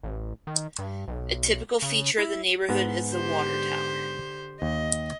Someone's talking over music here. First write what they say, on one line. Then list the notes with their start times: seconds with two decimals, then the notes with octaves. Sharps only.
A typical feature of the neighbourhood is the water tower.
0.03 A1
0.47 D#3
0.79 G2
1.08 B1
1.82 C#3
2.18 E4
2.69 G#2 B3
3.10 D3 G4 C5
4.62 D#2 D#5